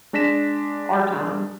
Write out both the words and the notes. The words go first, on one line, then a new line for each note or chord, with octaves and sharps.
our time,
G#3 D4 A#6 B6 E7